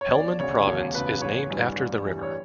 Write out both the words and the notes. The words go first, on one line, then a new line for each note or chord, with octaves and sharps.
Helmand Province is named after the river.
C#5
E1 D5
D2 C#3 C#5
E1 C#5
D2 C#3 B4
A1 C#5
G2 E3 G3
A1
G2 E3 G3
C#5